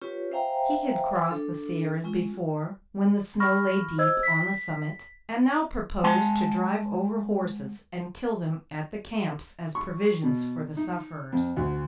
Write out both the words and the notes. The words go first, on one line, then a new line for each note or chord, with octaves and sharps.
He had crossed the Sierras before, when the snow lay deep on the summit, and now proposed to drive over horses and kill them at the camps as provisions for the sufferers.
C#4 F4 G4 B4 C#5
C5 E5 F5 G5 G#5 A#5
D4 A4
G#3 C#4 F4
B5 C#6 F6 A#6
C5 D#5 E6 G#6
B6
G#3 F#5 G#5 A5 C6
C#6
B2
D#4
F2
D2